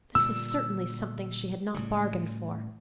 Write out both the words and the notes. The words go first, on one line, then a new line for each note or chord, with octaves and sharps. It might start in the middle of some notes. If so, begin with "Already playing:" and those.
This was certainly something she had not bargained for.
A#2 D3 G3 E6
A2 C#3 G3